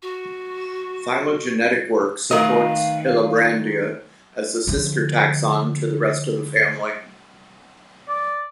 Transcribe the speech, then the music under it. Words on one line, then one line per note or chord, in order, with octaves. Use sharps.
Phylogenetic work supports "Hillebrandia" as the sister taxon to the rest of the family.
F#4
D#3 A3 A#4 B4 D#5 F5
D3 F3
D5